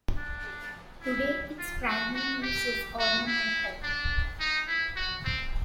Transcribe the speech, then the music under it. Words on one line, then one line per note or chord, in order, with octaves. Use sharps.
Today its primary use is ornamental.
D4
E4
F4
F#4
F#4
G4
F#4
E4
D4
D#4
E4
F#4
C4